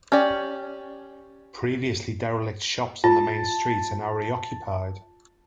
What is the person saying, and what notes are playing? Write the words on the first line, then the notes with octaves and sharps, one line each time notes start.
Previously derelict shops on the main street are now reoccupied.
C#4 G4 D5
F4 A5